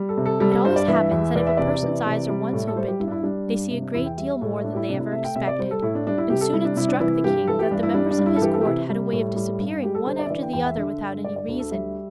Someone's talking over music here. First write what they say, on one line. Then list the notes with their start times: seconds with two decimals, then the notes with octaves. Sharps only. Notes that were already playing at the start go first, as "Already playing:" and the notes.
It always happens that if a person's eyes are once opened they see a great deal more than they ever expected; and soon it struck the king that the members of his court had a way of disappearing one after the other without any reason.
Already playing: G3
0.09 A4
0.17 C3
0.26 A4
0.40 G3 A4
0.52 A4
0.64 G2 C5
0.76 D5
0.88 E3 E5
1.11 E2
1.35 E3 D5
1.47 E5
1.57 C3 D5
1.83 E3
2.06 C3
2.29 G3
2.53 A2
2.67 A4
2.76 G3 C5
2.88 G4
3.00 G2 E4
3.08 D4
3.11 E4
3.23 G3 D4
3.48 G2
3.70 C3
3.82 D4
3.94 E2 E4
4.06 G5
4.18 G3 E5
4.41 A2
4.64 A3 D4
4.73 G4
4.76 E4
4.88 C3 D4
5.00 E4
5.12 A3 E5
5.24 G5
5.36 C3 E5
5.47 D5
5.59 G3 C5
5.71 A4
5.82 A2 E4
5.95 D4
6.06 G3 D4
6.18 E4
6.29 C3 G4
6.41 A4
6.53 G3 E4
6.65 D4
6.76 C3 E4
6.89 D4
7.00 E3 E4
7.24 G2 G4
7.47 E3 A4
7.59 G4
7.71 G2 D4
7.83 E4
7.94 G3 D4
8.11 D4
8.18 G2
8.26 E4
8.36 A4
8.42 E3 G4
8.53 A4
8.61 G4
8.65 C3 E4
8.89 G3
9.13 A2
9.36 G3
9.59 G2
9.83 G3 G4
9.95 A4
10.06 D3 C5
10.19 D5
10.25 E5
10.30 E3 D5
10.43 G5
10.53 E2 G5
10.65 E5
10.77 D3
11.01 G2
11.24 D3 D5
11.36 D5
11.48 D2
11.59 A4
11.71 G3 E5